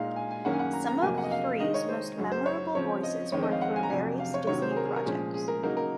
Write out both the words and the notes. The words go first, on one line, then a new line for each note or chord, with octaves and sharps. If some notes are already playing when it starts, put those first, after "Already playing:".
Some of Frees' most memorable voices were for various Disney projects.
Already playing: A#2 G#3 D#4 F5
G#5
G#5
F#2 D#3 A#3 C#4 F#5
G#5
F#5
A#5
A#5
F2 C3 F#3 A#3 G#5
F#5
D#5
F5
D#3 G#3 D#4 D#5
C#5
C5
F#2 C#3 F#3 C#4
C5
C#5
C#3 F3 C4 C#5
D#5
F2 D#3 G#3 C4 C#5
D#5
F5
F#5
G#5
A#5
F2 C3 F#3 G#5
F5
C#5
C3 D#3 F#3 C#5
C5
G#4
A#4
G#4
A#4
A#2 F3 G#3 C#4 G#4
G#4
A#4
C#3 F#3 A#3 D#4 A#4
A#4